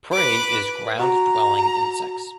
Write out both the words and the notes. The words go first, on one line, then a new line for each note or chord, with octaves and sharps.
Prey is ground dwelling insects.
B4 D6
F#4 A#5